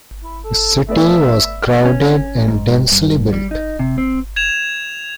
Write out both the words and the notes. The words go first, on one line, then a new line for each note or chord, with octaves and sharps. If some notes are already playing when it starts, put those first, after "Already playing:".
The city was crowded and densely built.
E4
A4
A3 B3 D5 E5
C#4
G#2
G2
G3
D#4
C3
C4
G#6 E7 F7